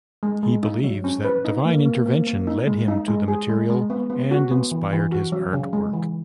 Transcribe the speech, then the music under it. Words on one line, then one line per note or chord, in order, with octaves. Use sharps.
He believes that divine intervention led him to the material and inspired his artwork.
G#3
G#3
D#4
F#3
C#4
B4
D#4
A#3
A#3
A#3
A#3
D#4
G#3
D#4
G#3
G#4
G#3
G#3
B3
B3
F#4
B3
E3
E3
F#4
F#3
C#3
G#3
E3